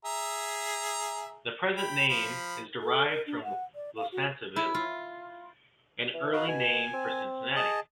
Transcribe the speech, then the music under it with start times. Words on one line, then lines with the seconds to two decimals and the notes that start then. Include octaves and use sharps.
The present name is derived from Losantiville, an early name for Cincinnati.
0.05 G#4 E5 A#5
1.77 G5 B5
2.09 F3 B5
2.81 A4
3.10 A#4
3.27 D4
3.43 F#5
3.75 D5
3.97 F5
4.12 F#4
4.56 E4
4.75 F4
6.14 E3
6.33 D#4 F#4 B4 F5
6.48 B2 G#5
6.93 C4
7.56 G#4 D#5 A5